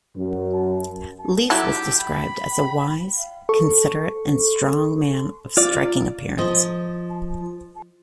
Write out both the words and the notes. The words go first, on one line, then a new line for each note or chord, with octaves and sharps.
Leif was described as a wise, considerate, and strong man of striking appearance.
F#2
F#3 E4 G4 A4
B5
A4 C#6
F4 D5
F3 D#5